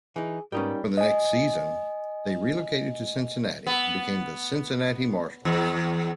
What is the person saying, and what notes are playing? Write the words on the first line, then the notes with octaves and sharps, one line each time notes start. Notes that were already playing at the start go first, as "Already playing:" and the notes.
For the next season they relocated to Cincinnati and became the Cincinnati Marshals.
E3 D#4 G#4
G#2 G3 A#3 B3 C#4 D#4 G5
D#5 G#5
B3
E2